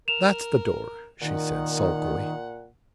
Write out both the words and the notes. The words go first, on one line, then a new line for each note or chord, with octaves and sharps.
"That's the door," she said sulkily.
A#4 E7 F7
A#2 D#3 F#5